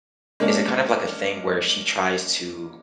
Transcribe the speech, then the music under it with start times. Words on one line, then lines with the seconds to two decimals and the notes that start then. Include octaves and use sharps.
Is it kind of like a thing where she tries to
0.40 G#3 A#3 C#4 D4